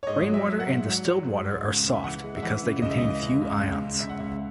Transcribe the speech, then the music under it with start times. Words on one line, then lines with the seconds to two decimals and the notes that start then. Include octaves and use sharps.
Rainwater and distilled water are soft, because they contain few ions.
0.03 C#5
0.07 G#2 D#5
0.27 F#3
0.34 E5
0.46 F#3
0.60 F#5
0.67 G#2
0.86 F#3
1.05 F#3
1.25 G#2
1.44 G#2
1.64 C#2
1.83 C#3
1.94 E5
2.04 E3 F#5
2.24 G#3
2.37 E5
2.42 E3 F#5
2.63 C#3
2.82 C#2 D#5
2.90 E5
2.98 E3 D#5
3.22 C#2
3.41 C#2
3.60 C#2
3.80 C#2
4.00 C#2 E5
4.09 F#5
4.19 C#2 E5